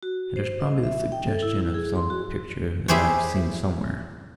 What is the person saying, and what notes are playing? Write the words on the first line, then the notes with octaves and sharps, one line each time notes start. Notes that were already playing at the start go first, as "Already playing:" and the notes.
It is probably the suggestion of some picture that I have seen somewhere.
F#4
C5
D#5
E5
G5
A4
E4
E4
G#4
C6
F#4
E4 G4 G#4 C5 C#5